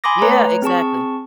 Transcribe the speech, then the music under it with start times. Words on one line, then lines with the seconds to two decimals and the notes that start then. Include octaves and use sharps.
Yeah, exactly.
0.04 G#5 B5 C6 D6 D#6 A#6
0.22 A3 B4 C#5 A#5
0.62 C4 G#4 A5 C#6